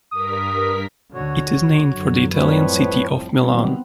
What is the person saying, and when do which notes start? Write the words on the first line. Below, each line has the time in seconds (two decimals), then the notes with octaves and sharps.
It is named for the Italian city of Milan.
0.11 G2 A#4 D#6 B6
1.14 D2 D3 F#4 C#5
1.91 F#2 D3 F#3
2.34 A2 F3 G3 C4 B4 C#5
3.44 D#3 F#3 G3 B3 C4